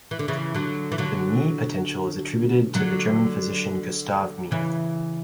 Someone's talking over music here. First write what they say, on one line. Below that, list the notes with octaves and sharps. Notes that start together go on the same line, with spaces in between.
The Mie potential is attributed to the German physician Gustave Mie.
E3
D3
C#3 E3
D3 F#3
E3
D3 F#3
D3 F#3
C#3 E3